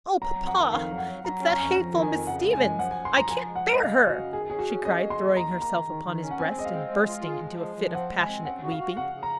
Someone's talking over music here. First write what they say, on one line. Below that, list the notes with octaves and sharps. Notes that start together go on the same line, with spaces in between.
"Oh, papa, it's that hateful Miss Stevens; I can't bear her!" she cried, throwing herself upon his breast, and bursting into a fit of passionate weeping.
F#3 A#5
F2
F#5
D#3
F2 F5
F#3
F#5
F#3
F#3 A#5
C#4
A#5
F2
F2 A#5
D#3
G#5
F2
C#3 F#5
G#3
G#5
F#2
F3 F#5
G#5
F#2
C6
F3 A#5
F3 G#5
G#3
F#5
G#3
D#5
C#3 F5
C#3
F#4
F#2
D#3 G#4
C#4 G#4
F#4
C#4
C#4 D#5
A#3
C6
A#3
D#2 A#5
A#3
A#5
D#3
D#3
D#3
C#4
F#5
C4 G#5
G#3 D#5
F5
C4
G#3
F4
G#3
F3
G#3
F3
C4 F#5
G#3
G#5
C4
C#3 F#5
F#4
F5
F#4
C#3 F#5
C#3
A#5